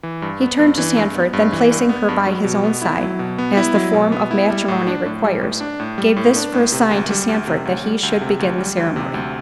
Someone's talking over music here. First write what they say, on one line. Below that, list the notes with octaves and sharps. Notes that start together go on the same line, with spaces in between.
He turned to Sandford--then placing her by his own side, as the form of matrimony requires, gave this for a sign to Sandford that he should begin the ceremony.
E3
G2
B3
G2
E3
G2
B3
G2
E3
G2
B3
G2
F#3
B2
B3
E4
F#3
B2
B3
E4
F#3
B2
B3
E4
G3
A2
D4
A2
G3
A2
D4
A2
G3
A2
D4
A2
C3
D2
G3
D2
C3
D2
G3
D2
C3
D2
G3
D2
C3
D2